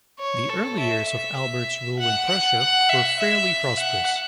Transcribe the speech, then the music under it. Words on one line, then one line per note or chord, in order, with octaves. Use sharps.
The early years of Albert's rule in Prussia were fairly prosperous.
C#5
A4
E5
E5
F#5
F#5
F#5
E5
E5
F#5